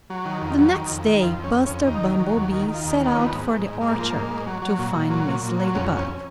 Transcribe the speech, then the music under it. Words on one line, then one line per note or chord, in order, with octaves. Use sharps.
THE next day Buster Bumblebee set out for the orchard to find Mrs. Ladybug.
F#3
D#3
F2
F#3
D#3
F2
D#3
F2 F4
F2
C#4
F2
C#4
F2
D#2 D#4
D#3
F#3
D#2
D#3
D#3
F4
D#2
C#4
D#3
C#4
F3 B3
G#2
G#2
G#2
G#2 A#3
F3
G#2
G#2
F#3
F#3
A#2
A#2
F#3
A#2
A#2
F#3
F2 C#4
F2 C#4